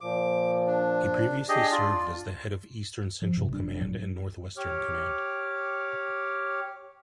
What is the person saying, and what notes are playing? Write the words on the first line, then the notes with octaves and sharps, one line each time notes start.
He previously served as the head of Eastern Central Command and North Western Command.
A#2 F3 D6
D4
D4 G4 G#4 D#5
F4 D5
F3
G2 C3 E3
F1 G3 D4
A2 F#3
G4 C#5 D6 F6